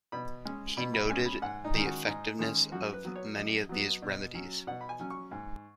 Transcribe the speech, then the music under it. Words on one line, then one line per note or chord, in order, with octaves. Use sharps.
He noted the effectiveness of many of these remedies.
B2 B5
G#3 C#4
B2 B5
B5
G#3 C#4 G#5
B5
G#2 F#5
D#4
D#3 G#3 C#4
F#4
G#2 D#4
D#3 G#3 C#4
F#2 F#4
B4
F#3 B3
C#5
F#2 D#5
F#3 B3
B2
F#3 C#4
B2 F#5
B5
G#5
F#3 C#4
C#6
G#2